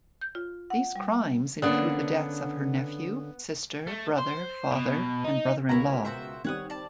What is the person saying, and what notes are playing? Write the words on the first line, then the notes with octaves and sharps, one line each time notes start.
These crimes include the deaths of her nephew, sister, brother, father and brother-in-law.
G6
F4
F#5
G3
D3 A#3 B3 C#4 D4
A3
C5
B2
D#4
C#2 B2 E4 A#4 C#5 A#5
F#4 C5 E5
D#3 G3 C4 C#5 F#5 D#6
D5 A5